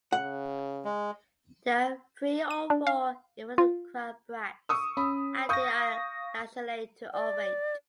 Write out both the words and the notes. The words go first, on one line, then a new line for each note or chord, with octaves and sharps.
There are three or four involucral bracts and they are lanceolate to ovate.
C#3 F#5
G#3
D#7
D4
F5
F4
C#6 D#6 E6
C#4 B5
F5 C#6 D#6 G6 A#6
D5